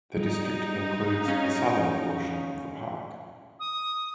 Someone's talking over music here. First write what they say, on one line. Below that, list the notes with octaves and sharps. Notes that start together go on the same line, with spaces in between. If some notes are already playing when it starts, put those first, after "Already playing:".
The district includes the southern portion of a park.
G3 D#4
C#4 F5
D#6